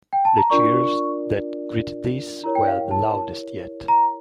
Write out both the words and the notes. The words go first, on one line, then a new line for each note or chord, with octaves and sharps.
The cheers that greeted this were the loudest yet.
G5
A5
A#5
D4 F4 A#4 D5 C#6
E4 G4 A#4 C#5 A#5
G5
F5
G5
A5
A#5